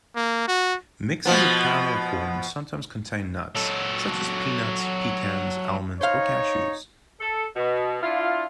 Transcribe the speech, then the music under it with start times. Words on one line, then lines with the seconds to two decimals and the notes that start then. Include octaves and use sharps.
Mixes of caramel corn sometimes contain nuts, such as peanuts, pecans, almonds, or cashews.
0.16 A#3
0.48 F#4
1.25 B2 F3 B3
3.56 F#3 A4
6.01 D#4 C5 C#5 F5
7.20 A4
7.56 B2
8.03 D4 E4 F4